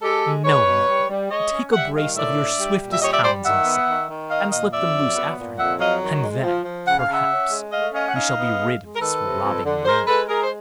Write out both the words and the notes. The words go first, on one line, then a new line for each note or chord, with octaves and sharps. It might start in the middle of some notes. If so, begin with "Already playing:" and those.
No, no; take a brace of your swiftest hounds in a sack, and slip them loose after him; and then, perhaps, we shall be rid of this robbing Reynard.'
G#3 G4 A4
G#3
G#3 B4 C#5
B2
G3
G3
G#3 C#5 D#5
C#4
G3 E5 F#5
D#3 D#5 F5
A2 D5 E5
D4
G3
A#2
E5
G3 C#5 D#5
D5 E5
G3 C5 D5
D#3 E5 F#5
B3
D#3
D#3
D#4 D#5 F5
A#2 D#5 F5
F2 D5 E5
F#3
B3
A#2
F2 E5 F#5
F#3 D#5 F5
D#3
G#3
F3
F3
C#3 F#5
F5
C#3 E5 F#5
C#4
G#3
A3 D#5 F5
C#4 D#5 F5
F#5
D#4 D#5 F5
B3
G#3
G#3
A#4
D#3 A4 B4
C3
F2
D3
G#3 A#4 C5
G#3 A4 B4
G#3 G#4 A#4
C5